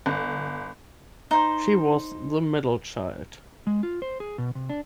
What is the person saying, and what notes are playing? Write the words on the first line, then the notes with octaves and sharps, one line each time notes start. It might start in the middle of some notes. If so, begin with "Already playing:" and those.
She was the middle child.
G1
D#4 C5
G#3
F4
C5
G#4
B2
C3
D4